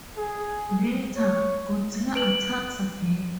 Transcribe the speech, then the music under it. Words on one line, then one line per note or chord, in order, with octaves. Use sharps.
Later, Godzilla attacks again.
G#4
C#5
B4 D7 F#7